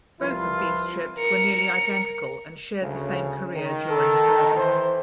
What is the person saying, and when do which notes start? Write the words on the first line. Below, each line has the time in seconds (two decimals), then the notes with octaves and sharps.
Both of these ships were nearly identical and shared the same career during service.
0.21 C2 F3 E4 F4 B4
1.18 A#4 C#7
2.82 D2 C#3
3.54 D#3
3.91 A4
4.57 E3 C5